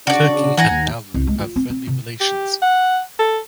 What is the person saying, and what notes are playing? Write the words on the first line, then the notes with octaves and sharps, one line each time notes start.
Turkey and Nauru have friendly relations.
C#3 D4 F#4 D5
E3 F#5 G#5 A#5
D#2
C2
G#3
F4
C4
C4
C3
G4
F#5
A4